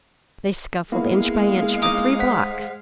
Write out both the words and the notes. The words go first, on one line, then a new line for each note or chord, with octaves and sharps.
They scuffled inch by inch for three blocks.
G#3 A#3 B3 E4 F5
D#4 D#5 D6
C5 F#5 B6